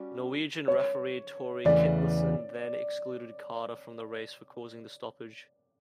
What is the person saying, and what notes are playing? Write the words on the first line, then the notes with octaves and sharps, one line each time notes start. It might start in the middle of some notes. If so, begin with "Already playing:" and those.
Norwegian referee Torrie Kittlesen then excluded Carter from the race for causing the stoppage.
Already playing: G3 C#4 F#4 D5
C#5
E2 C#3 E3 A3 D5